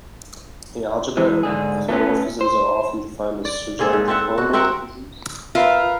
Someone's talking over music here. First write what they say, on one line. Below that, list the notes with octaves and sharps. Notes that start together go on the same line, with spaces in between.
In algebra, epimorphisms are often defined as surjective homomorphisms.
E3 G#3
G#2 D3 G#4
A3 B3 C#4
C5
D5
A#3 C4 G#4 A4
G#2
C4 A4 E5 F#5
F#4
C4 A#4 E5 F#5
F4 A#4 B4 E5 F5